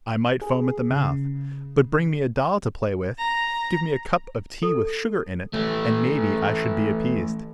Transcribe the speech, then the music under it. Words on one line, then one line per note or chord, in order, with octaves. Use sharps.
I might foam at the mouth, but bring me a doll to play with, give me a cup of tea with sugar in it, and maybe I should be appeased.
G#4
C#3
A#5
A4
E3 A3